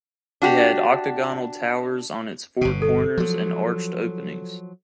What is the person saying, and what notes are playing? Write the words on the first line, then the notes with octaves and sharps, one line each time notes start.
It had octagonal towers on its four corners and arched openings.
D4 F#4 G4
G1 B2
A4
F3 F#3